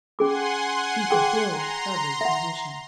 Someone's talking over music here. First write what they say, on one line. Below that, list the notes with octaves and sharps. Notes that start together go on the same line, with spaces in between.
"She fulfils every condition."
C#4 G#4 F#5 G#5 C6 D6
G#4 G5
A#5 C6
E5 F#5